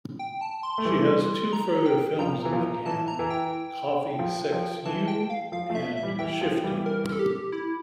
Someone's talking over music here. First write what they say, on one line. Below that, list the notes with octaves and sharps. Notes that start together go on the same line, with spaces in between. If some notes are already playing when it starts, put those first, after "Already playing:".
She has two further films in the can, "Coffee Sex You" and "Shifty".
G5
A5
C6
A3
E3 G3
A#5
G5
F3 A#5
E3
F3
E3 A5
A#5
E3
G5
F3
F3
E3 A5
G5
F5
F3 F5
F3 A3
E5
E5
E3 G3
E3 G5
F3
E3 G3
A#4
A4
G4
E4